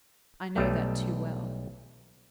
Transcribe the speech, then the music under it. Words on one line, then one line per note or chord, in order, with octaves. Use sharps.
I know that too well.
B1 G3 A3